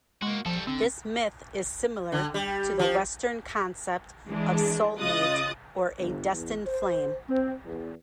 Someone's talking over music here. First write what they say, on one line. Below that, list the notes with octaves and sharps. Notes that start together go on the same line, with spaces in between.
This myth is similar to the Western concept of soulmate or a destined flame.
G#3 A#3 F#4
F3 G3 A4
D3 C4
D3
G3
F3
E3 G#3 D4
C#3 F4 D#5 D#6 F#6 A6
G1
E2
C5
C4
E2